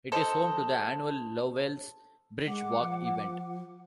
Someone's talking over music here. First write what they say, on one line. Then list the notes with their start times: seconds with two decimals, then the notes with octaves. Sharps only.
It is home to the annual Lovells Bridge Walk event.
0.12 A4 C5 D#5
2.47 G#3 F#5 D6
2.78 F3